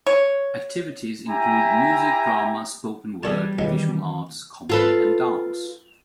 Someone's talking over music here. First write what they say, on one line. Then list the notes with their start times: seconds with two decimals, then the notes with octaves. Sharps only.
Activities include music, drama, spoken word, visual arts, comedy and dance.
0.07 C#5
1.29 E4 G4 E5 G#5 A#5 B5
3.23 E2 G3 A4 D5 A5 G#6
3.59 C#2 D#3 E3 F#3 D#5
4.70 F4 A4 B4